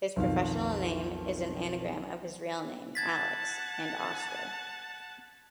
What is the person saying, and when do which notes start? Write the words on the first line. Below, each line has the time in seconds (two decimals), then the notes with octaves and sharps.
His professional name is an anagram of his real name, 'Alex', and 'Oscar'.
0.16 B1 F2 D#3 F5
2.95 F#5 A5 G#6 A6 B6